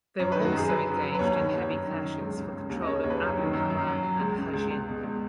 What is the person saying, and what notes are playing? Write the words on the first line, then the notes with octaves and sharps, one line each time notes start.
They were also engaged in heavy clashes for control of Abu Hamam and Hajin.
F#2 C#5
D#3 B4
F#4
F#2 G#4
F#2 B4
F#3
F#3
B4
D#2 C#5
D#3
D#2
F#2
D#3
F#2
C#2
C#3
C#2
D#2
D#5
C#3 C#5
D#2 C#5
B4
F#2 C#5
D#3
F#2
F#2
F#3
F#3
C#2
C#3
C#2
C#2
B2
C#2